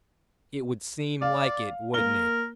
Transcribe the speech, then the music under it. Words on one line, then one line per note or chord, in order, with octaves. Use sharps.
"It would seem like it, wouldn't it."
D5 F5
A#3 A#4 G7